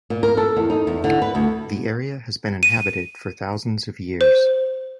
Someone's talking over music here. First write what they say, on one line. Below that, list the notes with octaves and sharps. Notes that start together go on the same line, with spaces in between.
The area has been inhabited for thousands of years.
A#2
A#4
A4
E2
D#4
E2
D3
B4
D2
D#7
C5